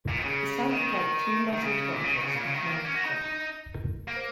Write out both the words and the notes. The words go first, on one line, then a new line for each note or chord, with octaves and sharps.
It sounded like two muzzled gunshots off my left shoulder.
A#2
D#3
C#3
D#3
D#3
C#3
A#2
C#3
D#3
C#3
A#2
C#3
D#3
A#3
C#4
F#4
D#4
A#3